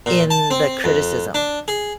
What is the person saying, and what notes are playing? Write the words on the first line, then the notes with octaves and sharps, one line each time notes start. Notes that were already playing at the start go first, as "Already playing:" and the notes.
...in the criticism.
A#2
A5
C4
F2
D4
G#4